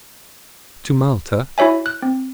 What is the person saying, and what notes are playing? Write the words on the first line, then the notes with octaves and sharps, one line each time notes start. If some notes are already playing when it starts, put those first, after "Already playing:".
"To Malta?"
E4 F#4 C#5 E5 G#5
F#6
C4